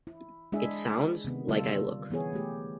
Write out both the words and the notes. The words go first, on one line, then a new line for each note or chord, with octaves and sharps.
It sounds like I look.
E4
G#3 D4 E4 G#4 E5
C3 D#3 B3
D3 G3 F4 A4
E3 B3 E4 G#4 C#5
A3 G4